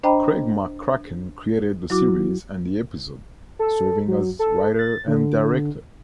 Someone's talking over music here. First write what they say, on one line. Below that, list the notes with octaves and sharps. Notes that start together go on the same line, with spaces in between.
Craig McCracken created the series and the episode, serving as writer and director.
D4 C5 D#5 G5 A#5 B5
F#3 E4 F#4 D6
A4
F#3
A4
A6
D3